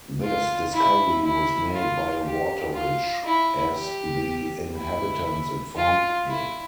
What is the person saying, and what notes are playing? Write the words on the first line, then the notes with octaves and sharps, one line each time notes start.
This discovery was made by a water-witch, as the inhabitants informed me.
F4
E4
E4
F4
G4
F4
E4
G4
E4
F4
E4